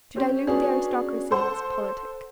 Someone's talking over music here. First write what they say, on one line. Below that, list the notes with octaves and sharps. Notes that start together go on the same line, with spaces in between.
To dilute the aristocracy is politic.
C4 C#4 G4
B3 C#4 D4 F#4 G#4
A4 C5 F#5 C6